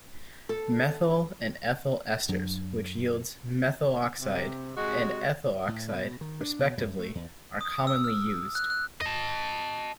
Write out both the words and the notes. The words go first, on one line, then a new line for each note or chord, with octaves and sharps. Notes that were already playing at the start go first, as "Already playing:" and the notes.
Methyl and ethyl esters, which yields methoxide and ethoxide, respectively, are commonly used.
A4
F#2 F#3 D4
C3
C3 G#3 F#4
A2
B2
D#3
D4
B2
F#2
A3
E2
D#6
E6
F6
F#6
F#6
D#5 A5